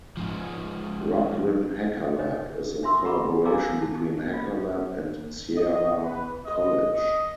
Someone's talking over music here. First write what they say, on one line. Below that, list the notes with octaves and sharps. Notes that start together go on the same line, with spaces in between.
Rocklin Hacker Lab is a collaboration between Hacker Lab and Sierra College.
G#2 F3
D4 C5 C#5 D#5
D4 E5 C6 E6
E5 F#5 A#5 B5 C#6 D6
A4 F5 G#5 A#5 D6 E6
A5
F4
D#5
B4
D#5
D#5